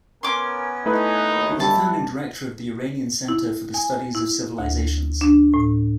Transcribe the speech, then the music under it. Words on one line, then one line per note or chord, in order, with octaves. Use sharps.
He was a founding director of the Iranian Center for the Studies of Civilizations.
B3 C#4 A#4 C6 D6
A3 D#4 E4 B4
D#2 B2 D#3
G3 E4 A5
E4
G#5
E4
D2
D4
A2